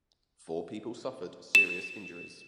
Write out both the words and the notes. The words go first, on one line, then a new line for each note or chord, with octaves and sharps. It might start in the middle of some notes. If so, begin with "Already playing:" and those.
Four people suffered serious injuries.
E7